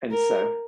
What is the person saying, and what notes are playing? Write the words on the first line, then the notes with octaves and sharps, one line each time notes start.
And so
A#4